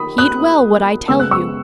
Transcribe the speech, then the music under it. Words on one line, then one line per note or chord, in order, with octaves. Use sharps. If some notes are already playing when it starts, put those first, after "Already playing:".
Heed well what I tell you.
Already playing: D#3 B5 D#6
D#6 F#6
C#3 G#3 B3 E6
F#6
C#6 E6